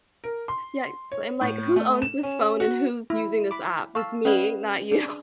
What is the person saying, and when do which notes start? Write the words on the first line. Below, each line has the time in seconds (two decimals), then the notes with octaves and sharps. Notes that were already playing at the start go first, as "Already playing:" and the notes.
Yeah, it's I'm like, "Who owns this phone and who's using this app? It's me, not you."
0.24 A#4
0.48 C6
1.12 C#5
1.41 A2
1.76 A3
2.02 E7
2.23 C#4
2.60 F#4
3.10 E4
3.51 B5 D6
3.95 F5 A5 C#6 E6
4.25 C#4 B4 D5 D#5 F5
4.92 D4 G#4